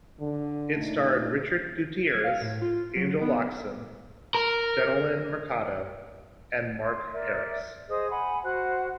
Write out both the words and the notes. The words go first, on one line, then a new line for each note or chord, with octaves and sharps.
It starred Richard Gutierrez, Angel Locsin, Jennylyn Mercado and Mark Herras.
D3
A#2 A3 D4 D#4
G#6
F5
A2
F4
F#3
B3
A#4
C6
A#4 D5 E5
G#4 C5 D#5 D#6
F#5 G#5 B5
F#4 C5 F#5 F#6